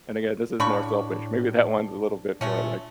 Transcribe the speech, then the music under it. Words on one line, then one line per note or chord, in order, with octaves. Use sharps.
and, again, this is more selfish. Maybe that one's a little bit more, like,
A2 C#3 D4 B5 C#6
A#2 G#3 A3 C#4